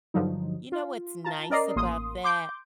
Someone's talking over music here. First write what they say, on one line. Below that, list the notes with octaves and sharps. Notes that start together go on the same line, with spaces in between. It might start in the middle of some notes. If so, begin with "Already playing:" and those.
you know, what's nice about that?
G2 D3 F3 F#3 D#4
F4
F4 A5 A#5
C#4 A#4 D5 D#5 A#5 C7
A1 A#3 C6 D#6
C6 D6 G6